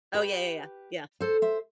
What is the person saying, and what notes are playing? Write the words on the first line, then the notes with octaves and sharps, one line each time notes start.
Oh, yeah, yeah, yeah. Yeah.
G4 B4
A4 C5
C5 E5